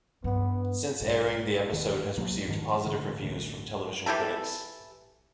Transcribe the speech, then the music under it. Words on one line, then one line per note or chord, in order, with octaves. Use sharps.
Since airing, the episode has received positive reviews from television critics.
G2 B3
F#1 B1 G#2
E1 E2 D#3
C2 A#2 F#3 A#3
F2 G#2 D#3 F3
A2 D3 E3
A1 D2
E3 E4 G4 A4